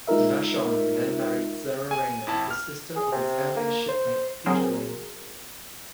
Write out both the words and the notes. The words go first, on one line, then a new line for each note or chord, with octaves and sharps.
Vashon then married Sarah Rainier, the sister of his earlier shipmate Peter Rainier.
G#3 D#4 F4 A#4 E5
G#5
G#1 E4 A5
F6
G#4
C3
A#3
C5
F#3 C4 G#4 A#4 C5